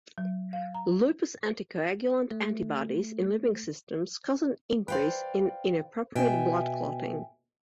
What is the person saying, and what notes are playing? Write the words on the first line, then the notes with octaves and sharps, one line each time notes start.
Lupus anticoagulant antibodies in living systems cause an increase in inappropriate blood clotting.
F#3
F5
A#5
A3
B4 C5 D5 F5 G5
B2 E5 G5 G#5